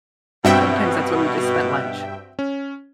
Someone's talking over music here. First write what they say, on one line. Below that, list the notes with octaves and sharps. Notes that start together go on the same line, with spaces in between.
Sometimes that's where we just spent lunch.
G2 B2 C4 F#4 E5 G5
C#4